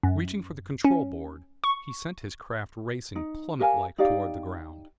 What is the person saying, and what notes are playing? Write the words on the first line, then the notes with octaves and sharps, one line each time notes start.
Reaching for the control board, he sent his craft racing plummet-like toward the ground.
F#2
C#4
C#6
D#4
G4 A#4 F5 G#5
D#4 G4 D5 F5